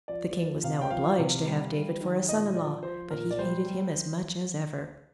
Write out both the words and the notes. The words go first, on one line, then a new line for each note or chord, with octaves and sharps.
The king was now obliged to have David for a son-in-law. But he hated him as much as ever.
F3 D5
F3
C3 F5
G5
F3 F5
C3
G3
G3
D#3
A#2 D#5
F3 D5
F3 C5
A#2 A#4
D5
G3 C5
G3